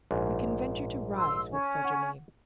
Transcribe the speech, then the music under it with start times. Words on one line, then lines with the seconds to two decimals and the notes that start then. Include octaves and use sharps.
You can venture to rise with such a name.
0.11 A#1 G#2
1.17 C6 E6
1.51 C#4
1.84 F#5